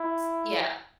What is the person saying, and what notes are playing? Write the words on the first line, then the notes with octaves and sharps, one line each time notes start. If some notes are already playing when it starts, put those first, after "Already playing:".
S Yeah.
Already playing: E4